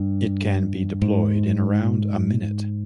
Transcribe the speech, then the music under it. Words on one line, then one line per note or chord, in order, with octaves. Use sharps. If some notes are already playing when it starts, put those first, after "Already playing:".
It can be deployed in around a minute.
Already playing: G2
G#2